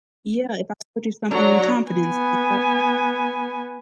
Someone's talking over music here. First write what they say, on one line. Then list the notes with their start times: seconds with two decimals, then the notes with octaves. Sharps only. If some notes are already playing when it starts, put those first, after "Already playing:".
Yeah, if I told you something in confidence, yep.
1.31 F#3 D4 A#5
1.91 B3 G#5